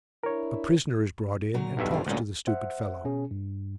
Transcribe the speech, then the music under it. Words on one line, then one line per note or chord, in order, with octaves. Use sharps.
A prisoner is brought in and talks to the stupid fellow.
D4 E4 A#4 C#5
A#2 F#3 A#4
B1 G2 E5
D3 F4 C5
D2 A#2 G#3 C#4
C5 E5 F#5
B2 C#4 G#4
G2